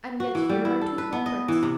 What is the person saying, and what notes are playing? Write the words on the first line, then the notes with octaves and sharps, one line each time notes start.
"And yet here are two culprits."
F#4
E3
G3
E4
A4
B4
B3
D#5
E3
C3